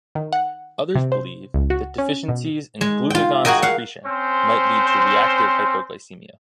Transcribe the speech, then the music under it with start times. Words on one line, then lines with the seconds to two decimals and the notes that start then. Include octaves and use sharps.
Others believe deficiencies in glucagon secretion might lead to reactive hypoglycemia.
0.15 D#3
0.33 F#5
0.95 C3
1.12 C5
1.54 C#2
1.70 F#4
1.98 C#4
2.28 B2
2.81 G#3
3.10 F4 G5
3.45 F#4 G#4 A#4 D#5 G5
3.62 F5 F#5
4.06 C4 C#4 C5